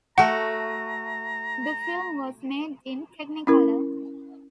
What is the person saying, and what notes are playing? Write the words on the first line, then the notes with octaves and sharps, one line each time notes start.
The film was made in Technicolor.
A3 F#4 F#5 A#5
C#4 E4 A#4